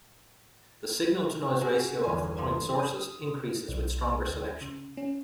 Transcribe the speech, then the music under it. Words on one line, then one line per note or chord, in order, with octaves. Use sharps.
The signal to noise ratio of the point sources increases with stronger selection.
F#2 F#4 G#4
G1 E2 G#5
A#3 A5 C6 D#6
D#6
B1
D2
C#3
C#4